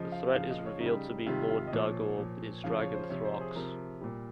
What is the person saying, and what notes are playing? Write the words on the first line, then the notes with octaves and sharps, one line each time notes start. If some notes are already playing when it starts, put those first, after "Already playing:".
The threat is revealed to be Lord Daggor, with his dragon Thraxx.
Already playing: C#3 F3 D#5
F5
C#3 F3 F5
D#5
C#5
C#3 D#4
G3
C3 D#3 G3 F4
F4
D#5
A#2 F3 C#5
A#2 F3
C#3 F3 F5
C#5
C5
C3 F3 C#5
C5
G#4
C3 F3 A#4
A#2 G3